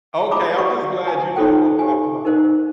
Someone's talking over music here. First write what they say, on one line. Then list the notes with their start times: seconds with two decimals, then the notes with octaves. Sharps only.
Okay, I'm just glad you know who I'm talking 'bout.
0.31 F4 A#5 B5 D6 D#6
0.58 F#4 D5 E5 F#5 C#6 D#6
1.08 G#5 A5
1.36 D#4 F4 A4 C5 G5
1.79 G4 G#5
2.25 D#4 A#4 C5 D#5